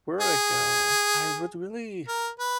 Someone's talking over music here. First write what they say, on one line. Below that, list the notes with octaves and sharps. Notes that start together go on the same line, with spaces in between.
where would I go? I would really
G#4
A#4
B4